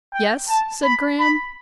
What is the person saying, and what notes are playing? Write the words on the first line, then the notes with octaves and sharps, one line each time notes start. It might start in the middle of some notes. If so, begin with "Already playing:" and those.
"Yes?" said Graham.
G5
A5
B5
B5